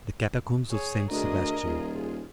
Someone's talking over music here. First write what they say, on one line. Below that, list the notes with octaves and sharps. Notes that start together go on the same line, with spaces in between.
The Catacombs of Saint Sebastian.
G#4 C#5
D2 D4 G#4 A#4 D#5
D#1 F4 G#4